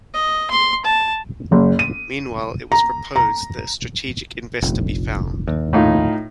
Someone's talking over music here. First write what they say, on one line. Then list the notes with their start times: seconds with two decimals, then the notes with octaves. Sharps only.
Meanwhile, it was proposed that a strategic investor be found.
0.14 D#5
0.51 C6
0.85 A5
1.52 F#1
1.79 D#7
2.72 A#5
3.16 A#5
4.62 F1 A#1
5.48 D#2
5.73 A2 D#4 F4